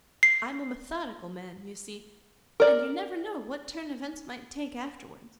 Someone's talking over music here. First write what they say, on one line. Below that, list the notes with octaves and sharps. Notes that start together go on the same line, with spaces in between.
I am a methodical man, you see, and you never know what turn events might take afterwards.
C7
A#4 D5